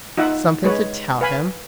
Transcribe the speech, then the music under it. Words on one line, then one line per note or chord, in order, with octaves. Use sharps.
"Something to tell him?"
D#4 F4 E5 F#5
G#3 B4 C#5
B4 F5 G#5 B5